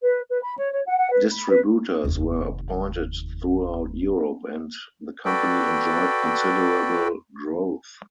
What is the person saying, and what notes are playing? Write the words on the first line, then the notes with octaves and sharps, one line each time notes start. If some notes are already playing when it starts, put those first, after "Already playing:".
Distributors were appointed throughout Europe and the company enjoyed considerable growth.
B4
B4
B5
C#5
C#5
F#5
F#5
B4
B5
B4
F1 D#2
F#4 A4 B4 D5 G5